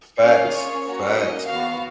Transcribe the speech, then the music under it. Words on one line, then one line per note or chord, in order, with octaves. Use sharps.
Facts. Facts, bro.
A#3 C#4 F4 G#4 F5
C#5
A#3 C#4 F#4 C#5
D#5
B3 F#4 F5